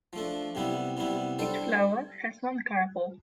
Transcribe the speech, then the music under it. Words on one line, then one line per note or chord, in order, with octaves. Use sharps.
Each flower has one carpel.
F3 A3 D4
C3 G3 B3 E4
C3 G3 B3 E4
G3 D4 A4 C5